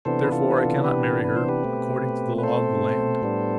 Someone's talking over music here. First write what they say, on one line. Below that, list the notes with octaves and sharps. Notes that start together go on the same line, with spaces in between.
Therefore I cannot marry her, according to the law of the land.
C3 E3 B3 D4 A4 C5
B4
F4 A4
B4
F4 A4
G4 B4
B4
C5
G4 B4
B2 A3 C4
B4
A4 C5
A2 G3 B3 D4